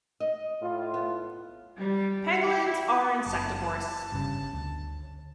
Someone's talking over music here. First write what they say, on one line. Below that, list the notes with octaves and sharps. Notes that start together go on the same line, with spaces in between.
Pangolins are insectivorous.
D#5
A2 E4 F4
B3
G3
E4
F#1 A5
G1 G2 C#3
D2